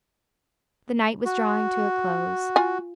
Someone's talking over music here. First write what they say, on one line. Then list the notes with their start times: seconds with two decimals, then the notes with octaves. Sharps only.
The night was drawing to a close.
1.25 F#4
2.56 F4 G#5